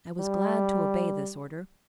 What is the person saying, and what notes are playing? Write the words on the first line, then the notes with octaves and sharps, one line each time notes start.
I was glad to obey this order.
G3